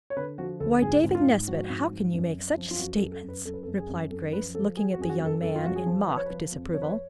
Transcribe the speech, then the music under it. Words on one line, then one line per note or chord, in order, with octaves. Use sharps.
"Why, David Nesbit, how can you make such statements?" replied Grace, looking at the young man in mock disapproval.
C#5
D3 B4
F3 F#4
D2 A4
G#2 G#4
G#2
F4
G#2
F3 F#4
G#2
F3
F#2
F#2
F3
F4
F#2 F#4
A4
F#2
A4
F#2
B4
F#2 A4
B4
A4
F#2
G#4
F#2
F#2 A4
F3 B4
F3 A4
F3 G#4
F#4
F#2 G#4
F#4
F#2
A4
F#2 A4
F4
F3 F#4
G#4
F3
F3 B4
C#5
F3 B4
F2
F3 C#5
B4
C#5